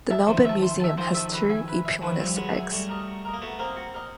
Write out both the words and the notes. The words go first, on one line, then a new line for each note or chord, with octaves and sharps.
The Melbourne Museum has two "Aepyornis" eggs.
E5 A5
D#3 F3 C5
E5 A5
C5
E5 A5
D#3 F3 C5
E5 A5
B4
E5 G#5
B4
E5 G#5
D#3 F3 B4
F3 G3 E5 G#5
F#3 G#3 B4
E5 G#5
G3 A3 F#4
A#4 D#5
F#4
A#4 D#5
A#3
A3 B3 F#4
A#3 C4 A#4 D#5
F#4
A#4 D#5